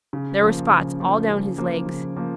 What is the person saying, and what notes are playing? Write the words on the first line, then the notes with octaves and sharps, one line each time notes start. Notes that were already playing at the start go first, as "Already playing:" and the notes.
There were spots all down his legs.
C#3
F3 A#3
C#3
F3 A#3
C#3
F3 A#3
C#3
F3 A#3